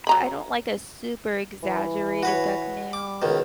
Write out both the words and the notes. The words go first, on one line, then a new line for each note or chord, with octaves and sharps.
I I don't like a super exaggerated duck nail.
F#3 A#5 B5
E3
F#4 B4 C#5
D6
C#2 B2 D#3